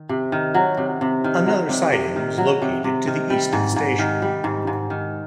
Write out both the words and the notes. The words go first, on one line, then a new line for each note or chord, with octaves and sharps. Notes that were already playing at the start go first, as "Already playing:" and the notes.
Another siding was located to the east of the station.
Already playing: D#3
C3
D#3
F#3
C3
C3
D#3
F#3
C3
C3
D#3
F#3
C3
C3
D#3
G3
G#2
G#2
D#3
G3
G#2
G#2
D#3